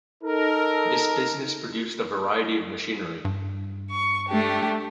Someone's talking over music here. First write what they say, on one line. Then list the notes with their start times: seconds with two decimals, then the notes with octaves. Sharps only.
This business produced a variety of machinery.
0.24 D#4 A4 A#4
3.25 G2
3.90 C#6
4.28 A3 D4 G4